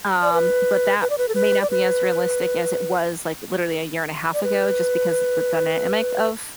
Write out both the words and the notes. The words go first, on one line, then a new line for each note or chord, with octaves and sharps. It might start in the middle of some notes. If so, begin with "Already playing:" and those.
um, but that may not be as realistic as it was, like, literally a year and a half ago, just because the dynamic of
D5
B4
B4
D5
B4
A4
B4
D5
B4
D5
B4